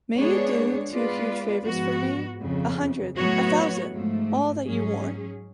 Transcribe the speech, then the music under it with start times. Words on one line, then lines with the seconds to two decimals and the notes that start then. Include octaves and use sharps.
May you do two huge favors for me? A hundred, a thousand, all that you want.
0.15 G#3 B3 D4 G#4 C#5
0.90 G#3 B3 F4 B4 D5
1.65 G#2 F3 B3 F#4
2.40 F2 C#3 F3
3.16 A2 F#3 B3 F#4 C#5
3.91 G#2 F3 A3
4.65 G#2 F#3 C#4 G#4